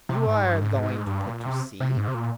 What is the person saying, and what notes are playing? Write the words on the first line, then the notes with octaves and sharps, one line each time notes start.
"You are going to put to sea?"
C3
G#2
G2
G#2
G#2
G2
A#2
C3
C3
G#2
C3
A#2